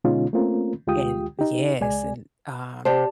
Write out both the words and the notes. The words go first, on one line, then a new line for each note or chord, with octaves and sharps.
And yes, and, um,
B2 D3 G#3 C#4 D#4 F4
A3 A#3 C4 C#4 F4 A#4
D2 G#3 F4 G4 G5 D#6
D#4 G4
C#2 G#3 D5 G#5
C3 G4 C5 D5 A5